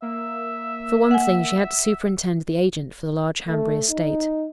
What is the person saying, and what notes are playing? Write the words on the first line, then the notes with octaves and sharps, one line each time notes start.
For one thing, she had to superintend the agent for the large Hanbury estate.
A#3 E5
F#5 G#5
A3
D#4